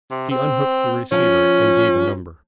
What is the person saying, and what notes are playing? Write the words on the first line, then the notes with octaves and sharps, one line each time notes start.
She unhooked the receiver, and gave a number.
C3
C4
F3 C#4